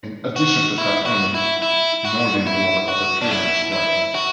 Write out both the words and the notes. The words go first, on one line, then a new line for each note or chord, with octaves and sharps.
In addition to cartooning, Mauldin worked as a freelance writer.
F#4
E4
F#4
E4
E4
F#4
E4
F#4
D4
E4
E4
F#4